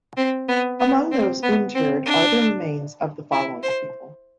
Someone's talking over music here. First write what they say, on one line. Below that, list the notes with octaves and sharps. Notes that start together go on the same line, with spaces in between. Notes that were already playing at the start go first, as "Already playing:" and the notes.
Among those interred are the remains of the following people.
C4
B3
B3
C4
B3
C4
D4
E4
C5